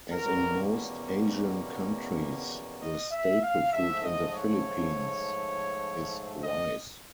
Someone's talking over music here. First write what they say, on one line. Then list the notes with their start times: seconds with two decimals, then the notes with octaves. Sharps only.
As in most Asian countries, the staple food in the Philippines is rice.
0.10 E2 B2 G3 A#3 C#4 A#4
2.82 D#5
3.12 E5
3.42 F5
3.72 G#2 F3 A3 E5
4.03 D#5
4.33 C#5
6.44 D#5